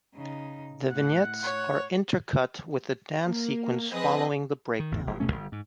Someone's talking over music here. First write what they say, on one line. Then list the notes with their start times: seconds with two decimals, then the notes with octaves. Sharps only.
The vignettes are intercut with the dance sequence following the breakdown.
0.15 C#3 D#4
0.90 A2 F#5
1.43 C#5
3.25 A#3
3.91 F3 C4 G#4 B4 D#5
4.80 D#3
4.91 G#1 E2 A2
5.07 F1
5.20 D#1 B2 A3 C#4
5.32 G1
5.52 G#2